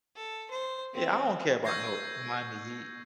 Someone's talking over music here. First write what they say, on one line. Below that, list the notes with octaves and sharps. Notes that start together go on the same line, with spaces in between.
Yeah, I don't care about no Miami Heat.
A4
C5
C4
C#6 E6 G6 G#6 A#6 C7